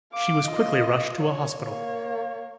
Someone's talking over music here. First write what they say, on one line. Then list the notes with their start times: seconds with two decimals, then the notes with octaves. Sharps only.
She was quickly rushed to a hospital.
0.13 F5 D6
0.47 F4 D#5
1.21 C#5
1.62 A#3 C#5